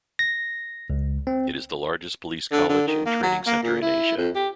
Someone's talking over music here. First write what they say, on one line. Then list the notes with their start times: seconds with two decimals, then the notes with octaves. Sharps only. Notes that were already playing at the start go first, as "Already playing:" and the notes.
It is the largest police college and training center in Asia.
0.19 A#6
0.90 C#2
1.27 C4
2.52 D3
2.69 D3
2.87 D#3
3.06 A#3
3.22 F#3
3.46 A#3
3.63 A#2
3.82 E4
4.17 F2
4.35 G4